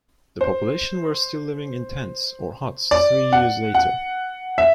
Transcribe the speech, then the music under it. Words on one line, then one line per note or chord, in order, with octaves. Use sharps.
The population were still living in tents or huts three years later.
C5
D5
F#5
F#5
E5